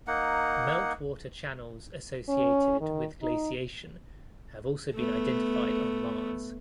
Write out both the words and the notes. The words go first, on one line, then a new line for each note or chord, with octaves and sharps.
Meltwater channels associated with glaciation have also been identified on Mars.
A#3 D#4 F#5
C#4
D#3
D#4
A3 B3